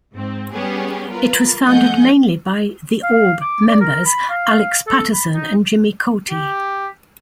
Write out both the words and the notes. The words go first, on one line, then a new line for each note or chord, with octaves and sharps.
It was founded mainly by The Orb members Alex Paterson and Jimmy Cauty.
G#2 C4
G3 B3 C#4 G4 G#4
F4 A#4 B4
F3 A3 D#5 F#5 G#5 G6
F5
D6
D5
A#4
B5
F5
A4
B5
D#4
G4